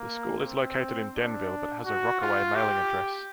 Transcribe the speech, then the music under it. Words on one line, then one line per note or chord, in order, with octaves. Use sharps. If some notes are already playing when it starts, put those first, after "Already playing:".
The school is located in Denville but has a Rockaway mailing address.
Already playing: A#3
C4
D4
F#4
F4
G4